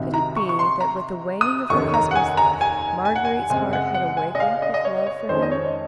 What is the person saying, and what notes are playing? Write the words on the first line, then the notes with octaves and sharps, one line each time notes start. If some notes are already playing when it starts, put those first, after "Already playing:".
Could it be that with the waning of her husband's love, Marguerite's heart had awakened with love for him?
Already playing: C2 C3 D#3 F#3
A#5
C#6
C#6
C6
A#5
D#6
F1 D#2 D#3 A#3 C#4 C#6
A#5
F#5
G#5
A#5
G#5
G#5
F#5
G#5
F#2 C#3 G#3 C4 G#5
F#5
F#5
G#5
D#5
F5
D#5
D#5
C#5
C#5
F2 D#3 G#3 C#4 C5
D#5
C#5